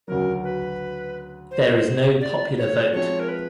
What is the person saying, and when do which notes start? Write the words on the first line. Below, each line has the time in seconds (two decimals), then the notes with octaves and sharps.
There is no popular vote.
0.07 D2 C#3 F#3 A#4
0.44 B4
1.51 C5
2.21 D5
2.57 C#5
2.93 F3 G#3 C4 E4 C#5
3.20 A#4
3.28 B4